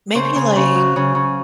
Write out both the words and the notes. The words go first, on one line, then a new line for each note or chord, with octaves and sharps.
Maybe, like
C#3 C5
C#3
C#3
F#3
C#3
C#3